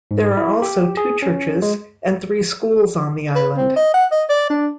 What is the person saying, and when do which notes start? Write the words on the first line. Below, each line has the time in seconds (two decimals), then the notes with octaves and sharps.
There are also two churches and three schools on the island.
0.11 G#2
0.37 E4
0.62 G4
0.97 G#4
1.22 C#4
1.62 G#3
3.36 B4
3.57 C4
3.76 D#5
3.94 F#5
4.12 D#5
4.29 D5
4.50 D4